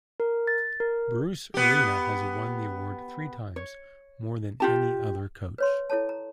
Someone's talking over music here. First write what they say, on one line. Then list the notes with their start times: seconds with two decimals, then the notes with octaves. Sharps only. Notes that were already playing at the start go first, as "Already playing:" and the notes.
Bruce Arena has won the award three times, more than any other coach.
0.20 A#4
0.47 A6
0.80 A#4
1.54 B3 G4
3.56 C#5
4.60 F4 G4 A5
5.58 B4 C#5 C6
5.90 E4 A4 C#5 A5
6.09 A#5